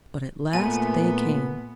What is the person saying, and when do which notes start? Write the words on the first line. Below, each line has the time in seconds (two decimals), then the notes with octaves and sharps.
But at last they came.
0.53 A#2 A3 B3 G#5